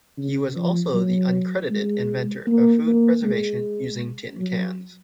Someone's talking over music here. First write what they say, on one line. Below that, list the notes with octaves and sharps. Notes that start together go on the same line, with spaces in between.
He was also the uncredited inventor of food preservation using tin cans.
C#3
F3
F#3
G#3
A#3
A#3
G#3
F#3